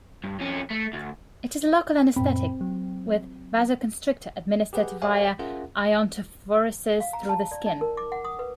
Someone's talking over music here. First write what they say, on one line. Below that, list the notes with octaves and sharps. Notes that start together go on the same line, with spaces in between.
It is a local anesthetic with vasoconstrictor, administered via iontophoresis through the skin.
G2
F2 C#4
A3
D2
F#2 A#2 C4 B5
F#3
G4 G#4 B4 F#5 G5
G4 A4 C#5 E5 F5 G#5
C#4 F4 G#4 A#4 E5 F#5
F5
A#5
A5
D5
D#4
A#4
D6
F#5
D#6
B4